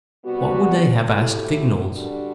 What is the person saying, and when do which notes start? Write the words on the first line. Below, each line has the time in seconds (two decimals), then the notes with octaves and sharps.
What would they have, asked Vignolles.
0.24 C3 G3 B3 F#4
1.09 C3 F#3 A3 E4 G4
1.93 D3 G3 D4 F#4